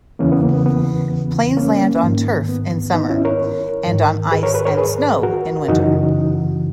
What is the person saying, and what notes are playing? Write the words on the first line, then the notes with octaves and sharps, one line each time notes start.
Planes land on turf in summer and on ice and snow in winter.
E2 C#3 E3 A#3 C#4
B3
A#3
B3
B3
A#3 C#4
G#2 D#3
B3
B3 D#4
C#4 E4
A#4 C#5
G#2 D#3
G#4 B4
A#4 C#5
G#4 B4
A#4 C#5
G#4 B4
F#4 A#4
F#2 C#3 E3 D#4 F#4